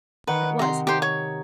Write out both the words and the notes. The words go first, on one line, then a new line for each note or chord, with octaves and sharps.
There it was.
D#3 B4 F#5 C#6
C3 A#5 C6
D#4 G4 C5
C#5